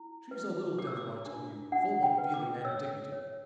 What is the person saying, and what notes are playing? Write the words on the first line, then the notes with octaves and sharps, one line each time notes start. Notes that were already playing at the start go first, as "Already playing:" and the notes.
She's a little devil, I tell you, full of feeling and dignity....
Already playing: E4
B4
G4 D6
E6
D6
D4
D4 F#5
G5
B4
D6
C#5 E6
C#5